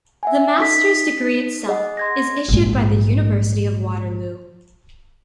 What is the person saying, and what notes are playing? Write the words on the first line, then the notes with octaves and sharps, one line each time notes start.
The master's degree itself is issued by the University of Waterloo.
E5 F#5 G#5
D#4 A4 B6
G#4 D#5 F#5
C6 G#6 A#6
A#1 G#2